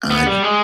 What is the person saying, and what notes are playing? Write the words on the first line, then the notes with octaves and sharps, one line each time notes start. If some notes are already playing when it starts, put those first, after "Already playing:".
I j
B3
G3
G#3